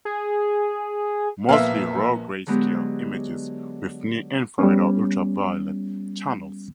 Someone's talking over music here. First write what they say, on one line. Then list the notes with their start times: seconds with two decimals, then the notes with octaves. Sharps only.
Mostly raw greyscale images with near infrared or ultraviolet channels.
0.05 G#4
1.49 A#1 A#3 B3 E5 F5
2.46 D3 F#3 G#3 B3 G4
4.59 G3 B3 C#4